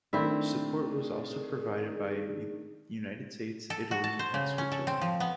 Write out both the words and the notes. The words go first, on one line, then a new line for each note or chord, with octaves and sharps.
Support was also provided by United States, Italy, and Switzerland.
D#3 A3 C4 D4 E4 E5
G#4
A4
F#4
A5
C5
C#3
C#4
A4
C4
F3
B3